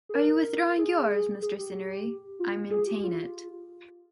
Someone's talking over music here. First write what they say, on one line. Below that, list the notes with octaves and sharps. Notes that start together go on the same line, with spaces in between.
Are you withdrawing yours, Mr. Cinieri? I maintain it.
G#4
A#4
G#4
G#4
G4
F4
G#4
G4
F4